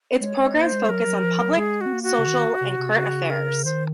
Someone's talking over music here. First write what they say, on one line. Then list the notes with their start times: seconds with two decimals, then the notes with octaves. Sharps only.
Its programs focus on public, social and current affairs.
0.20 G#3 C#5
0.38 G#3
0.55 A#3 C5
0.72 G#3
0.89 F#3 A#4
1.06 F#3
1.24 F3
1.41 F#3
1.57 G#3 G#4
1.81 C4 F#4
1.93 A#3
2.03 F#4
2.19 C#3
2.27 D#3
2.61 C3
2.79 C3
2.95 C#3 F#4
3.30 A#4
3.65 D#3 C5